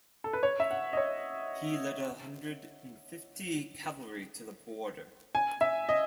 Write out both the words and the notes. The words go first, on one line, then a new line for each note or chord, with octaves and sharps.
He led a hundred and fifty cavalry to the border.
A4
B4
C#5
E5
F#5
D#5
C#5
G#5
E5
D#5